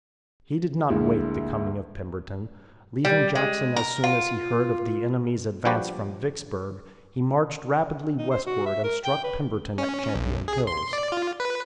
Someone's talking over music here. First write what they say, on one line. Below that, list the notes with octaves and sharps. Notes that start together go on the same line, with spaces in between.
He did not wait the coming of Pemberton. Leaving Jackson as soon as he heard of the enemy's advance from Vicksburg, he marched rapidly westward and struck Pemberton at Champion Hills.
D2 G#3 A#3 E4 E5
G3
G#3
A#4
F4
F3 G3 D4 F#4 G4 B4
D#4
C5
F#4
E5
A#4
G5
B4
C#4
B1
G#4
C6
D5
F4
B4